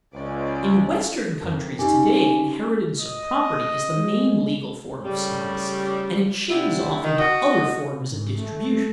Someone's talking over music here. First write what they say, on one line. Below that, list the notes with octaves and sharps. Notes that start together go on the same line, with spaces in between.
In western countries to-day inheritance of property is the main legal form of status and it shades off into other forms of distribution.
C#2 C#4 D5
F2 A#4 A5
C#4 D#4 G4 G#5
D#5
G#3
A2 C#3 G3
C3 B3 D4 E4
D#3
F#4 D#5
G#2
A3